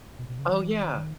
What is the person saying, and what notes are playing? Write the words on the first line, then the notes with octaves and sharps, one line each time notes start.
Oh yeah,
B2
B2
C#3
E3
D#3
C#3
D#3